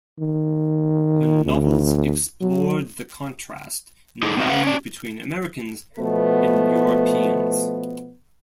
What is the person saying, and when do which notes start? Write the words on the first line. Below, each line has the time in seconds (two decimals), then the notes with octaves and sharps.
Her novels explored the contrast in values between Americans and Europeans.
0.19 D#3
1.45 D2
2.41 F#3
4.23 D#4 G#4 A4
4.37 B3 C4 D#4 F#4 D#5 E5
4.49 A3 B4 F5 F#5
4.63 C#4 D5
5.99 B2 F3 A3 B3